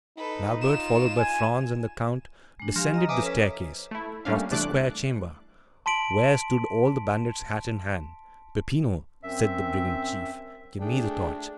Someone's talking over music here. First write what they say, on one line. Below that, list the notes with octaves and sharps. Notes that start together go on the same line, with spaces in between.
And Albert, followed by Franz and the count, descended the staircase, crossed the square chamber, where stood all the bandits, hat in hand. "Peppino," said the brigand chief, "give me the torch."
D#4 A4 B4
F4 E7
G#5
G#3 D4
F3 G4 F5 G#5 A#6
D#5 A#5 D#6
B4 C5 E5 G#5 A#5 D6 D#6
C#4 A4 B6
A3 E4
G3 A3 A#3 C#4 D4 F5
C2 E3 A3 D4 D6 F#6
A5 C6 B6 D7 F#7
F#2 C4 E5
A3 D4 G#4 G5